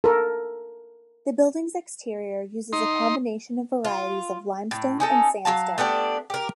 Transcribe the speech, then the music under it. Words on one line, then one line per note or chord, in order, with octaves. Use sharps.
The building's exterior uses a combination of varieties of limestone and sandstone.
A4 A#4
D#4 C6
F4
A2
C#4 D#4 A4
F#3 C#4 F5 A5
A3 B3 D4 G4
G4 A#4